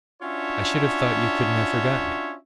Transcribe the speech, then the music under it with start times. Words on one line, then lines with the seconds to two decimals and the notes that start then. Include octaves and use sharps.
"I should have thought you couldn't have forgotten it?"
0.22 C#4 D4 F4 F#4 C#5 E5